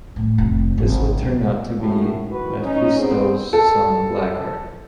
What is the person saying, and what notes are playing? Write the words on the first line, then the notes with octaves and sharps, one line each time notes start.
This would turn out to be Mephisto's son Blackheart.
A2
F1
G#1
B2
F#2 A2
D#3 E3 F#4 B4
C#4 D#4
G3 B3 C4 G#4
A4